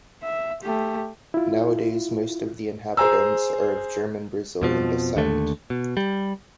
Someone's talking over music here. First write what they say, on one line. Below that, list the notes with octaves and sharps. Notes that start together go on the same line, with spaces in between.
Nowadays, most of the inhabitants are of German-Brazilian descent.
E5
A3 G4
E4 F4
G#4 C5 G#5 A#5 E6
F2 B2 F3
D#2 D3 A3
B2
G3